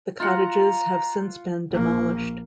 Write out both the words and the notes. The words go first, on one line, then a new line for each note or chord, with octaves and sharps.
The cottages have since been demolished.
F4 F#5 A#5
A#1 A#3